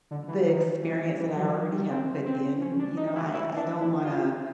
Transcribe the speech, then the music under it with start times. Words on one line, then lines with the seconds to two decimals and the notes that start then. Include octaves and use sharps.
the experience that I already have put in, you know, I I don't wanna,
0.11 D3
0.28 E3
0.47 D#3
0.82 E3
1.17 E3
1.36 F#3
1.46 F3
1.54 F#3
1.72 G3
1.90 C4
2.25 C4
2.61 C#4
2.79 D4
2.97 D#4
3.15 E4
3.33 E4
3.56 D4
3.81 E4
4.04 F4